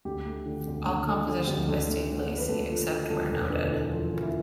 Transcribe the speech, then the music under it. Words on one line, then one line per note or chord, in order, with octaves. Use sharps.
All compositions by Steve Lacy except where noted.
D2 G4
A3
D3
D2
D2 A4
A3 A4
D3
D2 G4
D2 A4
A3
D3 A4
D2
B4
D2 A4
A3 F4
D3 A4
D2 A4
E1 A4
D3 B4
E2 A4
F3 F4
E1 F4
E4